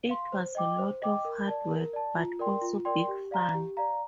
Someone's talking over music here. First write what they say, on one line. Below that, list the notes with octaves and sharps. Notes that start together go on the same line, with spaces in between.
It was a lot of hard work, but also big fun!
F5 C6
C5
D#5 G5 D6
C5
D#5 G5 D6
A#4
D5 A5
A#4
D5 A5
F4
A#4 D5 G5 C6
F4
A#4 D5 G5 C6
G4
D5 F5 A#5
G4
D5 F5 A#5